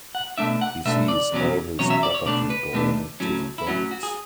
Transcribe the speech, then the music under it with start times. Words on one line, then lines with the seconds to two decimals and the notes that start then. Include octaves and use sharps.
He sees all his property going to the dogs.
0.15 F#5
0.38 B2 A3 D4 E5
0.61 F#5
0.85 B2 A3 D4 E5
1.08 D5
1.32 E2 B2 F#3 C#4
1.79 E2 B2 F#3 C#4 C#5
1.90 E5
2.03 D5
2.14 C#5
2.26 B2 A3 D4 D5
2.50 B4
2.73 B2 A3 D4
3.20 A2 F#3 C#4
3.58 E4
3.67 A2 F#3 C#4 F#4
3.91 F#4
4.03 G#4